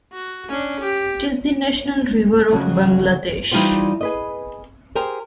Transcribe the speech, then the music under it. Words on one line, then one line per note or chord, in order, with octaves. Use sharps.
It is the National river of Bangladesh.
F#4
C#4 D4
G4
F2 C#3 F#3
E3 G3 D#4 F4 G4 C5
G#4 B4 D#5
G4 G#4 A#4 C5